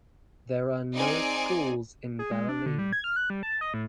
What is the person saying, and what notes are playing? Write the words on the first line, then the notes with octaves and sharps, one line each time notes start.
There are no schools in Galilee.
C4 D#4 G#4 D5 G#5
G#4
G#3
D4
D3
G3
G#6
F6
F#6
G3
A5
D#5
A2